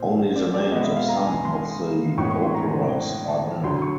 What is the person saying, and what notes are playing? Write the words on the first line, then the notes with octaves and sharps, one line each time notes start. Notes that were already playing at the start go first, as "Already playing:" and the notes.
Only the names of some of the operas are known.
Already playing: A#2 A#3 C5
D5
D5
B2 G#3 B3 D#5
E5
F5
A#5
G#5
C6
A2 E3 G#3 B3 C#6
C#6
C6
A#5
A5
D2 D3 F#3 C6
C#6